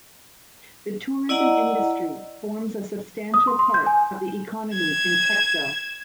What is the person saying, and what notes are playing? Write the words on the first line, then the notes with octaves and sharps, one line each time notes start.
The tourism industry forms a substantial part of the economy in Texel.
E4 D5 D#5 F#5 A#5
D#6
C6
C6
G6
G#5
G#6 E7